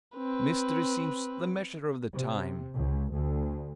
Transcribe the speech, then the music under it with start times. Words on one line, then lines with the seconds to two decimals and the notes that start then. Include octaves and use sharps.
Mystery seems the measure of the time!
0.17 C4 B4
2.14 C3
2.74 C#2
3.13 D2